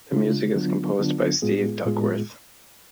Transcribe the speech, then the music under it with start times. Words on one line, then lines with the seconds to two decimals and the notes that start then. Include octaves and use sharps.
The music is composed by Steve Duckworth.
0.12 C#3 G#3 D4 F4
0.55 D3 F#3 B3 D4 F4
0.98 D3 F#3 B3 D4 F4
1.42 A2 G#3 B3 F4 G#4
1.86 A2 G#3 B3 F4 G#4